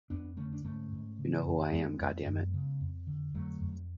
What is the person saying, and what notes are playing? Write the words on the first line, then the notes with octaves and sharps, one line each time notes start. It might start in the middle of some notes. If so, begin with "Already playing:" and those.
You know who I am, God damn it!
F2 B3 D4
D3 A3 C#4
D4
G#2 A3 C#4
G#2
C#3
F2
F2 G#3 B3
F2
F#2
C#3
F2
D3
F2 F#3 A3
F2